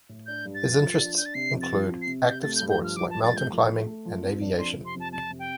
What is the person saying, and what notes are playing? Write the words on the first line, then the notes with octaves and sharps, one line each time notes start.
His interests include active sports, like mountain climbing, and aviation.
A2
D4 G6
G2
A6
F3
F3
D4
D4 G6
A6
C3 C7
F2
A6
F3
C4
C7
C3
C3 G6
A3 A6
G6
G2
G6
F3
F6
F3 D6
G2 A5
A6
A3 G6
F3
A3
A3
F3
F2
D4
F2 C6
C3
C6
F2 A5
F2 A5
C3
G5